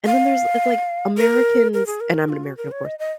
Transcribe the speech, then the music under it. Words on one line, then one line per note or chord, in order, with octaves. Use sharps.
And then there's it's like Americans- and I'm an American, of course-
F5
A#4
A#4
G#4
A#4
F4
F#4
A#4
C#5
D#5
D#5